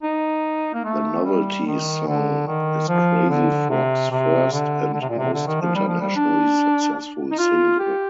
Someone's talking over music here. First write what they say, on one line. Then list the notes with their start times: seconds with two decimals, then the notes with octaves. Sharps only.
The novelty song is Crazy Frog's first and most internationally successful single.
0.03 D#4
0.74 A#3
0.85 A3
1.25 G3
1.66 D#3
2.07 D3
2.48 D#3
2.88 F3
3.30 D3
3.70 C3
4.11 C3
4.52 D3
4.93 D3
5.01 C3
5.09 A#2
5.18 C3
5.34 D3
5.47 D#3
5.61 F3
5.75 G3
5.87 F3
6.00 G3
6.16 D4
7.31 D#4
7.39 F4
7.79 G4